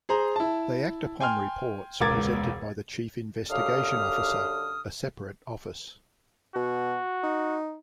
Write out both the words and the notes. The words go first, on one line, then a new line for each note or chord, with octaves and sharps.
They act upon reports presented by the Chief Investigation Officer, a separate office.
G#4 C5 A#5
E4 A5
G5 G#5 C6 F6
E1 C#2 A#4 D6 G#6 A6
F#2 D3 G4 F5 D#6 F6
B2 F#4
D#4